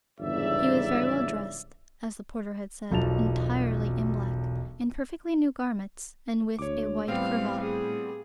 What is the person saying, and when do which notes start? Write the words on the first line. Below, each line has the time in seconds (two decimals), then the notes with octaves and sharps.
He was very well dressed, as the porter had said, entirely in black, in perfectly new garments, and with a white cravat.
0.20 G1 E2 G#2 C#3 D5 E5
2.91 E1 B1 F3 A5 F7
6.59 D2 C#5 D6
7.08 A2 G3 B3 C4 F5
7.62 G#4